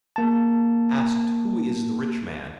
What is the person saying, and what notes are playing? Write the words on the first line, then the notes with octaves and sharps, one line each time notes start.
Asked, Who is the rich man?
A#3 A5